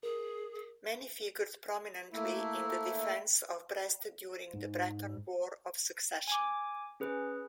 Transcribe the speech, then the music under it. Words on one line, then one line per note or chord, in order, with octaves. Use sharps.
Manny figured prominently in the defense of Brest during the Breton War of Succession.
G#4 A#4
A3 A#3 E4
G#2
G#5 D6
C#4 G#4 B4